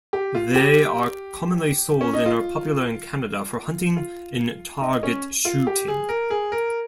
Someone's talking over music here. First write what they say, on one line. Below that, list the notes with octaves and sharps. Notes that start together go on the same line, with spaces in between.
They are commonly sold and are popular in Canada for hunting and target shooting.
G4
F4
G4
C#4
D#4
F4
F4
D#4
C#4
F4
G4
G#4
A#4
G#4
A#4